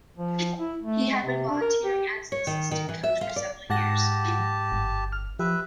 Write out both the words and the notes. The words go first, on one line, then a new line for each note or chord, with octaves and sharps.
He had been volunteering as an assistant coach for several years.
F3
E4
A3
G#3
C3
D4
A#4
G4
C#5
D#3
D#3
E3
E5
F4
D5
G#2 G4 F#5 A5 A#6
G1
F6
F3 G4 B4 E5